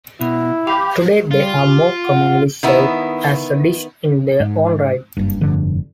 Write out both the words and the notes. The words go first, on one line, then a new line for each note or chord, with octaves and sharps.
Today, they are more commonly served as a dish in their own right.
B2 E4
G4 F5 B5
G3 F4
G4
F#5
D#3 B3 E4
G#2
F#1 G2
F1 G2 D3 F3